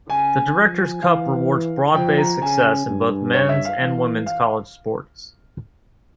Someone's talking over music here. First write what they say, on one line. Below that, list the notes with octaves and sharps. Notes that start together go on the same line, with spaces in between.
The Directors' Cup rewards broad-based success in both men's and women's college sports.
C#3 G#5
F3
E3 F5
F3 G5
A#5
C#3 G#5
G2
C#5
E5
F5
E3
F5